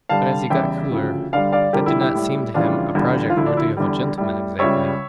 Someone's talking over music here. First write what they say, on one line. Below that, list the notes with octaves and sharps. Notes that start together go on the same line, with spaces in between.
But as he got cooler, that did not seem to him a project worthy of a gentleman exactly.
G2 D3 G3 F5 A5
E2 C#3 E3 G3 E5 G5
D2 C#3 F3
G2 D3 G3 D5 F5
D5 F5
F2 D3 G3 G4 A#4
E4 G4
E4 G4
A2 G3
F2 C#3 E3 G3 D4 F4
E2 D3 G3
F4
D2 D3 F3 E4
D4
E4
E2 D3 G3
A2 G3
C#2 C#3 G3 C#5 E5